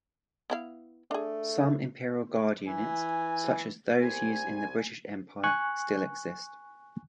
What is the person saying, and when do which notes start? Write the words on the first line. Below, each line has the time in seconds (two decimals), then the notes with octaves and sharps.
Some imperial guard units, such as those used in the British Empire, still exist.
0.50 B3 E4 F5
1.11 A3 D4 G#4
2.67 E3 G#5
4.00 C2 G#5
5.44 G#5 C#6 F#6